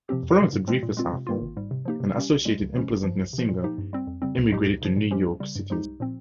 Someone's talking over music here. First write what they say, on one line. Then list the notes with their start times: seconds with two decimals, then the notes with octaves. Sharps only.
Following the Dreyfus affair and associated unpleasantness Singer emigrated to New York City.
0.09 C3 F3 C4 G4
0.23 F2
0.38 C#3 G#3
0.53 G#2
0.67 F3 G#3 C4
0.83 A#2
0.97 G#3 C4 F4
1.13 C3
1.27 D#3 A#3 F4
1.41 G#1
1.56 G#2 G3
1.71 C3
1.85 F3 A#3 D#4 G4
2.00 C3
2.15 G3 C#4 G4
2.30 C2
2.45 A#2 G#3
2.60 C#2
2.75 C3 F3 G#3 C#4
2.89 G1
3.04 G2 F3
3.18 C2
3.33 C3 F3
3.49 A#2
3.63 F3 A#3 D#4 G4
3.78 G2
3.93 G3 C4
4.07 F2
4.22 C#3 G3 C4
4.38 C2
4.52 A#2 G#3 D#4 G4
4.67 C#2
4.82 C#3 F3
4.96 A#2
5.11 F3 G#3 C#4 G4
5.25 C#2
5.40 C#3 G3
5.56 G2
5.70 F3 G#3 D#4 G4
5.84 C2
6.00 A#2 F3 C4